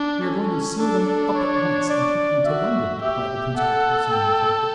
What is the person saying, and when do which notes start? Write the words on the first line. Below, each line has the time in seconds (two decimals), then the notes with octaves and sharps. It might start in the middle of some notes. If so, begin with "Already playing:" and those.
"We are going to seal them up at once, and take them to London," replied the principal person in authority.
Already playing: D4
0.23 C#4 A4
0.79 D4 A4
1.34 C#5
1.89 D5
2.45 F#4 E5
3.01 G4 E5
3.57 A4 F#5
4.12 G5